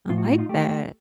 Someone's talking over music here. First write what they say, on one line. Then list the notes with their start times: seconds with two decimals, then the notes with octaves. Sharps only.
I like that.
0.10 A2 F4
0.18 F#4
0.25 F4
0.32 F#4
0.38 D#4 F4
0.49 A3 G4